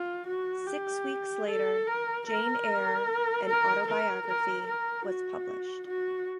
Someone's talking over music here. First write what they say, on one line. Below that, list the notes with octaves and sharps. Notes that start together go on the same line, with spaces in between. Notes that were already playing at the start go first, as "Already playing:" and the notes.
Six weeks later "Jane Eyre: An Autobiography" was published.
Already playing: F4
F#4
G4
A4
A#4
A#4
A#4
A#4
A#4
A#4
F#4
F#4